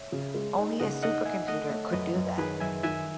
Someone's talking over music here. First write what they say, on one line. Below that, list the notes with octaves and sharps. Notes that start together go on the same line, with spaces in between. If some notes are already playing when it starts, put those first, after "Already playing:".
Only a supercomputer could do that.
Already playing: C#5 E5
C#3
G#3
D#4
C#3 D#5 F#5
D#4 D#5 F#5
D#4 E5 G#5
A3 D#5 F#5
A3 C#5 E5
F#2 B4 D#5
F#2
D#3 G#4 B4
F#2 E5 G#5
D#3 E5 G#5